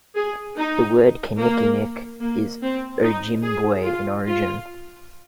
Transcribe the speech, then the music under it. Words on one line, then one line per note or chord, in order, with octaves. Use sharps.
The word kinnickinnic is Ojibwe in origin.
G#4
D#4
A#3
A#3
C4
D#4
G#4
F4
F4